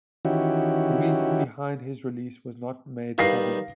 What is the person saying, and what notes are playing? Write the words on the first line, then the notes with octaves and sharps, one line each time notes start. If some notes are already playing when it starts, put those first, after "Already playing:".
The reason behind his release was not made public.
D#3 E3 C#4 E4 F#4 G4
D#3 G3 B4 F5 A#6 C7